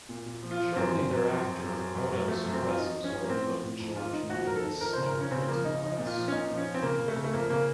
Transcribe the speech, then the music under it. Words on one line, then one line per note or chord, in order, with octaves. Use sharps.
Shortly thereafter, Odhams Press absorbed both George Newnes and the Hulton Press.
A#2
A#2
F3
F4
F3
F#2 C4
F#2
F#2
F3
F#2
F#2
F#2
F#2
F#2
F3 A3
F#2
C4
F#2
F4
F3 D#4
F3
C#4
F3
A#3
A2 C4
F3
A2
F2
D#3 F4
D#3 D#4
F2 F#4
F2 A#4
A4
D#3
F2 A#4
C#3 C5
A#4
F2
C#4
C#3 C4
F3 A#3
C#3 D#4
F3 D#4
A#2
F4
F3
C#4
A#2 D#4
F3
C#4
F3
C4
C#3 A#3
C#3
A3
C#3
A3
F2 A#3
C#3 A#3